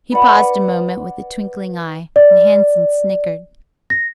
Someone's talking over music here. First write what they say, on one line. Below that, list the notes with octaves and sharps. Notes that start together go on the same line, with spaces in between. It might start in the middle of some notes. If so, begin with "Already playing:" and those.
He paused a moment with a twinkling eye, and Hansen snickered.
B4 D5 F#5
D5
A#6